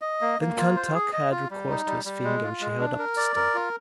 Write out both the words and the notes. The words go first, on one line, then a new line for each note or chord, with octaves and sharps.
Then Kentuck had recourse to his finger, which he held up to Stumpy.
D#5
A#3
A#3
F4
C5
G#4
D#5
F4
G3
D#4
G3
G3
G#3
F4
G#3
D4
A#4
D5
A#4
F4